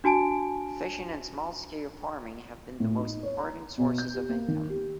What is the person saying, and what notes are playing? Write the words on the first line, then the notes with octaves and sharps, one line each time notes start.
Fishing and small-scale farming have been the most important sources of income.
D4 F#4 G#5 A5 D7
A2
D#4
C#5
A#5
B2
G6
G4
A#3
D#3
G4